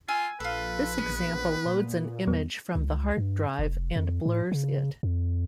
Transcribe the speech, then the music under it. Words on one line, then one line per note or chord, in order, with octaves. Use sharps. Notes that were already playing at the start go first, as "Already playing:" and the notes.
This example loads an image from the hard drive and blurs it.
F4 G#5 E6 F6
A#1 F4 A4 B4
A1 B3
A#2
E2 G3 B3
C#2
G2
F1
F2
A2
C#3
F2